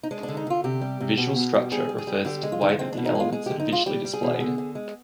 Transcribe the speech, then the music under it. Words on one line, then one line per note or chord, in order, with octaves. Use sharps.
Visual structure refers to the way that the elements are visually displayed.
D#4
G#3 D4
D4
D3
D#4
D3 F4
C3 G4
G3
C3
B2
B2
G3
G3 G#4
G3
G#4
G3
D3 G4
G#3
F4
D3 D#4
F4
G#3 C4
D4
B2
D#4
G#3 F4
G#3 G#4
G4
D3
D#4
G#3 F4
G3 G4
G3
G#4
B2
D3
D3
G#3